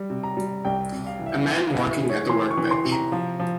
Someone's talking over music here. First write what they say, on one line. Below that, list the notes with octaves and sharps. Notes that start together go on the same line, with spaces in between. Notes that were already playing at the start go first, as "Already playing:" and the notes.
A man working at a workbench.
Already playing: G3
C3
A#5
G3
C2 G5
C3
F5
E3
E5
E3 E5
F5
E3
E5
G#3
C#5
E3 C6
C#6
E3
C6
C3
A#5
F3
F3